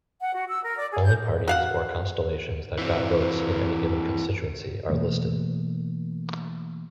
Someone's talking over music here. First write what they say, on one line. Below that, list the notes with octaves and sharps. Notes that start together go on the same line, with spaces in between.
Only parties or constellations that got votes in any given constituency are listed.
F#5
F#4
E6
A#4
D5
G#4
G6
F#4 F5 F#5
E3 C4
B2 E3 A3 A#3